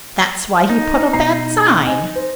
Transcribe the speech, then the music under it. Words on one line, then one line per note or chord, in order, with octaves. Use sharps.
That's why he put up that sign.
D#4
B2 A#5 C7
D#5 G#5
C5